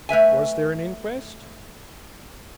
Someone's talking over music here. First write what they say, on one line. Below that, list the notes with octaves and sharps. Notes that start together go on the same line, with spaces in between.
"Was there an inquest?"
A3 B4 E5 G#5